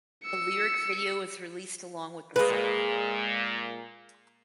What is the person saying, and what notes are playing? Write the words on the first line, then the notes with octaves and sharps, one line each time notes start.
A lyric video was released along with the song.
E6 C#7
A#2 G#3 B4